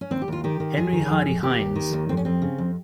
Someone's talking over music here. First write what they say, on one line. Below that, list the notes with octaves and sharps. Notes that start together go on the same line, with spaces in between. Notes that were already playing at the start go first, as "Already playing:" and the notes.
Henry Hardy Heins.
C#4
D#2 C4
G4
D#2 F4
D#3 G4
D#3
F2 G#4
D#3
F2
F2
D#2 G4
D#2
D#3
D#2
F2 C4
C#4
F2 C4
C#3
F2